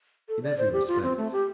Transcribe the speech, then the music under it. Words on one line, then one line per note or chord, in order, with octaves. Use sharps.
"In every respect."
A4
D5
C5
G4
F4
C4
A3
G4